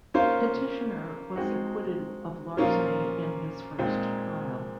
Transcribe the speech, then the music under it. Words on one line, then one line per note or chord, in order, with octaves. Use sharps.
Petitioner was acquitted of larceny in his first trial.
A#3 C#4 F4 C5 F5
G#3 C4 D#4 F#4
A#2 F3 A#3 C#4 F4
A#2 G#3 C4 D#4